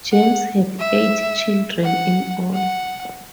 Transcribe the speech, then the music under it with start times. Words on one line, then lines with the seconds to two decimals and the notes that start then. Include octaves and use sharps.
James had eight children in all.
0.12 F#5
0.80 E5
1.84 F#5
2.53 F#5